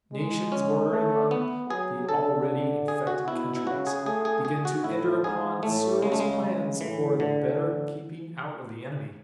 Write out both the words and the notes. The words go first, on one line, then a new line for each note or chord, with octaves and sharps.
Nations, bordering on the already infected countries, began to enter upon serious plans for the better keeping out of the enemy.
G#3
C#4
A3
B3
F#3 G#4
D3 A4
G#4
F#4
B2 E4
E4
C#3 F#4
G#4
A3 G#4
G#4
G#4
F#4
A2 E4
G#2 G#4
A2 A3
C#3 G#3
A3
G#3
C#3
A2 E3
A2 D3